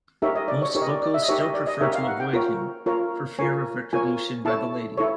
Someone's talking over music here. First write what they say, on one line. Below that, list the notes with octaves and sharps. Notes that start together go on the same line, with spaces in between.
Most locals still prefer to avoid him, for fear of retribution by the Lady.
D#4 G4 A#4 C#5 E5
D#5
D5
C#5
D#4 G4 A#4 C#5
D#5
D5
D5
E5
D#5
D#4 G4 A#4 C#5 E5
D#5
D5
D#5
D#4 G4 A#4 C#5 E5
F5
F#5
G5
F4 A#4 C#5
F4 A#4 C#5
F4 A#4 C#5 G#5
F4 A#4 C#5 G#5
E4 A4 C#5 A5
E4 A4 C#5